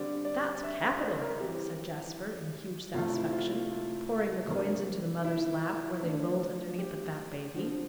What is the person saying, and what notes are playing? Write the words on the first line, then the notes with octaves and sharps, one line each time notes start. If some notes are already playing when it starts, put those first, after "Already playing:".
"That's capital," said Jasper, in huge satisfaction, pouring the coins into the mother's lap, where they rolled underneath the fat baby.
Already playing: D3 G3 C4 D5
D5
E5
C5
C5
A#4
E3 G3 C4 G4
C3 F3 A3 F4
E4
F4
F4
F4
C3 F3 A#3 D4
E4
D3 A3 D4
G4
D3 F3 C4